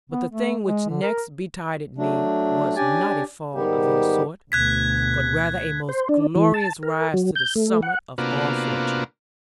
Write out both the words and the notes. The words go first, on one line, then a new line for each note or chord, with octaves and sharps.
But the thing which next betided me was not a fall of any sort; but rather a most glorious rise to the summit of all fortune.
B3
A3
G#3
D3
A#4
F#3 A3 D4
C#4 D4 G4 D5 G#5
G#2 D#3 G3 B3 G4
D2 B2 F#6 G#6 B6
C5
D4
E3
A5
A#4
F#3
G6
A3
F#5
C3 A#3 B3 D4 F4 F#4